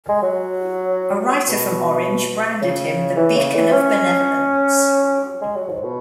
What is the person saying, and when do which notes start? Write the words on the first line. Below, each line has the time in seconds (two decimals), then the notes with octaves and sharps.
A writer from Orange branded him the "beacon of benevolence".
0.09 G#3
0.22 F#3
1.48 B2
2.61 C#3
3.17 E3
3.36 C#3
3.55 E3
3.73 C#4
5.41 G#3
5.56 F#3
5.69 G#2
5.83 B2